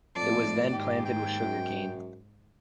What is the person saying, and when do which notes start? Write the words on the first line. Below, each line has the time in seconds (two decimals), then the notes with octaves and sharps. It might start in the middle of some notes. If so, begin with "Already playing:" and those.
It was then planted with sugarcane.
0.16 F2 A2 D5 A5
0.73 D#2 G#2 G4
1.05 G5
1.40 F#2